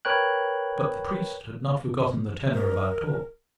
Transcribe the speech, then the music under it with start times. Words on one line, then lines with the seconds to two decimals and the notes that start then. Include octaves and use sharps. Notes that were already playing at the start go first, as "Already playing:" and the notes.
But the priest had not forgotten the tenor of our talk.
0.05 A#4 B4 C#5 G5 F#6
2.54 A#4